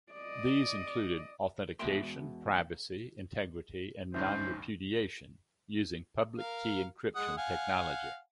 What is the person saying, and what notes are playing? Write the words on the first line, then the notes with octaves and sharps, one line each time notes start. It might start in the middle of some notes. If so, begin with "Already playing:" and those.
These included authentication, privacy, integrity and non-repudiation using Public Key Encryption technology.
D5 D#5
E2 B2 G#3 E5 G5 C6
A1 D2 G2 C#4 D#4 B4 C5 E5
A#4 F5
G#3 F#5 D#6
F5 F#5 G#5